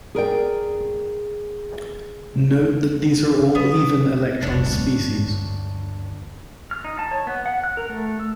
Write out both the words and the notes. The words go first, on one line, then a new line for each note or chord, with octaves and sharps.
Note that these are all even-electron species.
G#4 A#4 D5 G5
F#3 B3
F1 C2 D4 C#5
D2 G2
F6
D#4
A5
C#5
B3
F#5
F#6
A#4
A3
E6